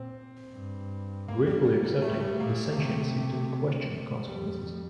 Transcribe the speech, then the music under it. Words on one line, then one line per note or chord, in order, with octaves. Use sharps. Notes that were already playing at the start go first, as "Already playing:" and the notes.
Gratefully accepting, the sentiency didn't question the consequences.
Already playing: A#2 C4
G2
A#3
G3
G3
G3
A2 A3
G3
A3
A#2 A#3
A#3
C3 A3
F2 G3